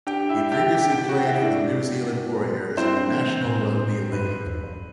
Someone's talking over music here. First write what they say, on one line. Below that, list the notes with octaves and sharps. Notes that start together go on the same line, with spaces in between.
He previously played for the New Zealand Warriors in the National Rugby League.
D4 G4 G5
E4 E5
G4 G5
G4 G5
G4 G5
F#4 F#5
E4 E5
D4 E4 D5
C4 E4 C5
D4
E3
B2
A2
G2 B4
F#2
E2
F#2